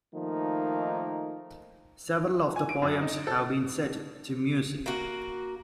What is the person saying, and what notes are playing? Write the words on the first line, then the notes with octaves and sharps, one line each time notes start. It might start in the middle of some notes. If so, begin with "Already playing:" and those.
Several of the poems have been set to music.
D#3 F3 A3 A#3 D#4
G#5
D7
F#2
D#4
A4
A#3 F#4